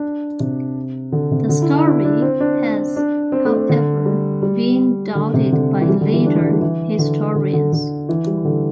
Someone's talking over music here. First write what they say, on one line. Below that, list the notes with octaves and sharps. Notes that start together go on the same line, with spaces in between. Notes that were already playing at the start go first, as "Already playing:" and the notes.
The story has, however, been doubted by later historians.
Already playing: D4
C3
D3
C3
D3
E4
D4
E4
D4
C4
D4
D4
C4
A3
C4
D3
G3
G3
D3
C3
D3
E3
G3
D3
E3
D4
E3
D3
G3
E3
D3
D3
D3
D3
E3
G3
D3